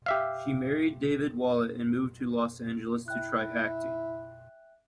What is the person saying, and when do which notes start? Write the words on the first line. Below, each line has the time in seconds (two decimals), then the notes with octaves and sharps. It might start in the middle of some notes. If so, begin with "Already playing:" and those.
She married David Wallett, and moved to Los Angeles to try acting.
0.06 G4 E5 F5
3.08 E4 E5 G5 F#6